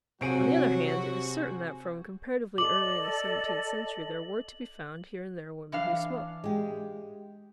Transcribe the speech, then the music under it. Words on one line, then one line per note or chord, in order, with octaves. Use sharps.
On the other hand, it is certain that from comparatively early in the seventeenth century there were to be found here and there women who smoked.
C3 F#3 C4 F#4 G#4 D7 D#7
A4 D5 D#5 D6 F#7
E3 D4 F5
G#3 G4